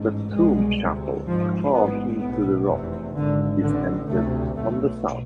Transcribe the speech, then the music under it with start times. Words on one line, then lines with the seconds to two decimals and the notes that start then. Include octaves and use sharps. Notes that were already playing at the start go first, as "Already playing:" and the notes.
The tomb chapel carved into the rock is entered from the south.
Already playing: A1 G#2
0.33 C2 B2 G#3
0.79 D2 C3
1.26 G#1 G#2 F3
1.73 A1 G#2 B3
2.20 B1 A2 B3
2.67 F1 E2 C3 E3
3.14 G#1 G#2 D3
3.60 A1 A2 D3
4.08 D2 C3 A3
4.55 B1 B2 A3